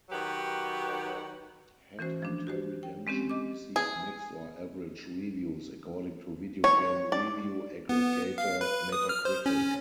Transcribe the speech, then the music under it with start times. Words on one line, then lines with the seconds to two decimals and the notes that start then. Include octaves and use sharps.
"Headhunter Redemption" received "mixed or average" reviews, according to video game review aggregator Metacritic.
0.10 D#3 F#3 F#4 G4 B4
1.99 E3 C#4 F#4 C5
2.22 F3 D4
2.47 F#4 G4 C5
2.83 G5
3.07 G#3 C4 C#4 G4
3.29 D#5 D6
3.76 G#4
6.64 C#5
7.12 D5
7.89 B3
8.38 F5
8.61 B4
8.92 D#6
9.09 F6
9.25 C5
9.46 C#4